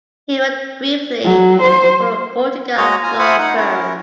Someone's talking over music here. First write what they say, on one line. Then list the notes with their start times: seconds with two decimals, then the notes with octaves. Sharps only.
He worked briefly for a Utica law firm.
1.25 F#3
1.62 C5
2.77 G#3 F#4 C#5 D#5 A#5
3.03 F4 G#5 A#5
3.19 F4 C5 F#5 G#5 B5 D#6
3.39 D#4 F#5
3.57 C#4 E4 A#4